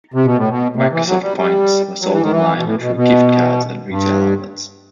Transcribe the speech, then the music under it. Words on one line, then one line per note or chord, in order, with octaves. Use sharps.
Microsoft Points were sold online and through gift cards at retail outlets.
C3
B2
A2
B2
C3
E3
F#3
G3
G3
F#3
E3
D#3
E3
B2
A2
B2
B2
G2